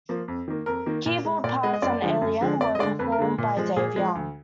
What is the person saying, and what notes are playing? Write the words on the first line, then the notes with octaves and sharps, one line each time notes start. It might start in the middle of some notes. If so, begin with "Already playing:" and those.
Keyboard parts on "Alien" were performed by Dave Young.
F3 A#3
F2
D#3 A#3
F2 A#4
D#3 A#3
A#2
G#3
A#2 D5
G#3 D#5
D#5
F#2 D5
D3 F3 G#3
F#2
D3 F3 G#3
F2 D5
D#5
D3 G#3 D5
F2 B4
A#4
D3 G#3
A#2
F3 G#3
A#2 G#4
F3 G#3
D2